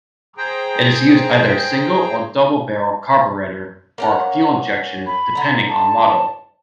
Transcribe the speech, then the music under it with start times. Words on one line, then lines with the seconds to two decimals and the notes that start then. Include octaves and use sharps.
It used either a single or double-barrel carburetor or fuel injection, depending on model.
0.38 G#4 C5 G5 A#5
3.98 A#3 C#4 F#5
5.07 B5
5.35 D3 A#5
5.68 A5